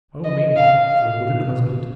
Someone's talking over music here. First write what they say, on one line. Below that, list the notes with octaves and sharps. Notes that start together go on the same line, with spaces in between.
"O me, for a wooden husband!"
D#5
F5
F5